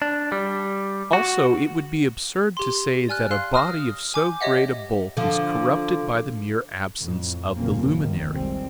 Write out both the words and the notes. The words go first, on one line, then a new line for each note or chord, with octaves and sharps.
Also it would be absurd to say that a body of so great a bulk is corrupted by the mere absence of the luminary.
D4
G3
F#4
G4 C6
D5 G#5 F6 F#6
F5 C6 F#6
D#6 F6 A#6
G#5 D6 G6
G4 C#5 D#5 E5 F#5
D3 F3
F2 A2
F#1 E2 A#2 A#3 C4 C#4
F1 D#3
C2 G3 G#3 C4